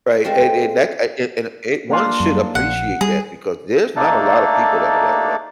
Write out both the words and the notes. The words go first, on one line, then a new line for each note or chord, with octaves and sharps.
Right? And and that c a and and one should appreciate that because there's not a lot of people that are that way.
G#3 A3 C4 F4
A#3 D4 F4
F#2 G3
A#1 F#5
G3 G#4
A3 A#3 D4 D#4 A4